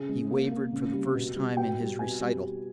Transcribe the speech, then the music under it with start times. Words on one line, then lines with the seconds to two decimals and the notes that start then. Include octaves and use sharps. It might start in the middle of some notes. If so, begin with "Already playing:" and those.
He wavered for the first time in his recital.
Already playing: C#3 G#4
0.09 G#3
0.31 A#3
0.51 A#3
0.73 C#3
0.93 G3
1.15 B2
1.36 G3
1.57 B2 G5
1.79 G3
1.99 B2 G#5
2.21 G3